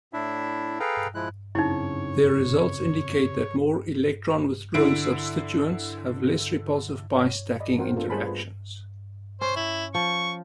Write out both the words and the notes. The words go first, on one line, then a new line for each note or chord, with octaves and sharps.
Their results indicate that more electron-withdrawing substituents have less repulsive pi stacking interactions.
A2 D4 E4 E5
G#4 A4 B4 F5 G5 A#5
F3 G#3 E4 F#6
F#2 C#3 C4 D#4 E4 C#5
D3 E4 D7
C#5
D5 D#5 B5
C4 F4 F#4 A#4 C5 F#5
A3 B3 D4 F4 A4 A#4
G3 G#4 C5 G#5 A5 B5
F4 B4
C#4 C5
E4
F3 C#6